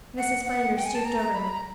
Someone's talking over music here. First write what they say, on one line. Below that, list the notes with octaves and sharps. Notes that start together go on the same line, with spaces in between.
Mrs. Flanders stooped over him.
F#5
F#5
G5
G#5
A5
A#5
A#5
B5
A#5